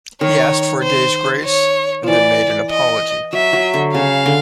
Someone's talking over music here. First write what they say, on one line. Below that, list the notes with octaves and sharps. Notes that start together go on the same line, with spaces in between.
He asked for a day's grace, and then made an apology.
D#3 C#5
C5
C#5
E3 F3 D5
D#5
F#3 E5
F#3
D3
C#3 F5
D3